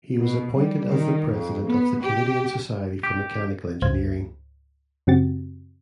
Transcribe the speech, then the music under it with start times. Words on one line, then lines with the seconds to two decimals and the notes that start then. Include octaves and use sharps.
He was appointed as the President of the Canadian Society for Mechanical Engineering.
0.18 B2
0.56 G3
0.88 D#3
1.33 F2
1.66 B3
2.03 G4
3.03 G4
3.82 C#2 G#2 C5 F5 G#6
5.07 F#2 C#3 C4 F#4 G4 A6